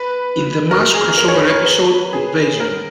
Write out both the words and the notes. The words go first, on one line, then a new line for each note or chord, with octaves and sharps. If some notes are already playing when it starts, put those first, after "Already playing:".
In the mass crossover episode Invasion!
Already playing: B4
A#4
G#4
A#4
C#5
B4
C#5
B4
G#4
A#4